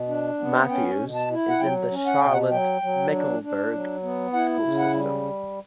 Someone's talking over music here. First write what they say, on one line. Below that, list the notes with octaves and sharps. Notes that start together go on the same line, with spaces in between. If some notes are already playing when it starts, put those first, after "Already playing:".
Matthews is in the Charlotte-Mecklenburg School system.
Already playing: B2
D4
B3
C#4 G5
B2
A5
E4
F#5
F#3 G5
C#4
F#5
B2 G5
F#5
F#3 G5
F#3
D4
D4
F#3
B3
E4 F#5
C#3
F#5
G3